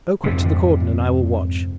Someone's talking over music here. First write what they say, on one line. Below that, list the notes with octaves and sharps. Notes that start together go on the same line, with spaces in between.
'Go quick to the cordon and I will watch.
F2 G#2 C3